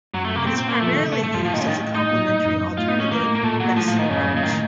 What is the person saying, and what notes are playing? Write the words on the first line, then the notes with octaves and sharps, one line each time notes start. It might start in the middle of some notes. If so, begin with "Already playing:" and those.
It is primarily used as a complementary alternative medicine approach.
F#2 F#3
A3
C3 A#3
A#2 C4
C4
A#3
F3 A3
D#3
C#3
C3 A3
A2 A3
F#2 F3
A2 F3
A#2 D#3
C#3
A2 D#3
A2
D#4
A#2
A2
F#2
A2 F4
D#4
C#4
A2 A#3
A#3
A#2 A3
A#2 F#3
A2 F3
F3
D#3
F#2 C#3
A#2 C#3
A2 D#3